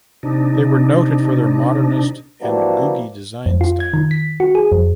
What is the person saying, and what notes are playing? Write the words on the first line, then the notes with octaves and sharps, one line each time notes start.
They were noted for their Modernist and Googie design style.
C3 D4 D#4
E3 F3 G3 A#3 D4 F#4
F2
F4
G#6
D#3
B6
F#4
G#4
F2